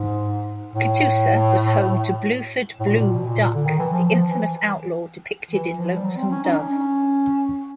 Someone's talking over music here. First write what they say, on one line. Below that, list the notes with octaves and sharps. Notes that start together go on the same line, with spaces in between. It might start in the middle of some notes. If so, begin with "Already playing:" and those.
Catoosa was home to Bluford "Blue" Duck, the infamous outlaw depicted in "Lonesome Dove".
Already playing: G#2
A2
A2
A#2
A#2
B2
A#2
A#2
D3
D#3
E3
F3
F3
E3
E3
F3
G3
F#3
C4
C#4
D#4
D4
C#4